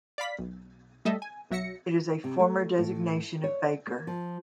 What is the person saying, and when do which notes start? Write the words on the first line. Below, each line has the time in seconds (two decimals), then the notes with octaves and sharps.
It is a former designation of baker.
0.18 D5 F5 B5 B6
0.39 B1
1.05 G3 A3 A4 D#5 E5
1.22 G#5
1.51 B1 F#3 E5 A#6 C#7
2.24 C3
2.39 A3
2.78 A2
3.44 C#5
3.87 A#3
4.07 F3